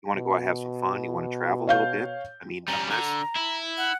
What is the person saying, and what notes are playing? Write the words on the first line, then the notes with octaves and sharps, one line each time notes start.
You wanna go and have some fun? You wanna travel a little bit? I mean, unless
B2
C#5 F5 G6
G3 C#4 A#5
D3 A#5
E4
F#5